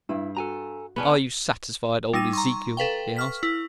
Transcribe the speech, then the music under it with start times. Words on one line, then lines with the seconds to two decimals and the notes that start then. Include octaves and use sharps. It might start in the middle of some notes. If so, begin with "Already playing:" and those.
"Are you satisfied, old Ezekiel?" he asked.
0.09 G2 E4
0.37 F#4 A4 G#5 A#5
0.96 B3 C#4 D4
2.13 G3 D#4 E6 D#7
2.33 A#5 C6 C#6
2.77 A4 B4 F5 G5
3.16 C#6 F6 B6
3.43 E4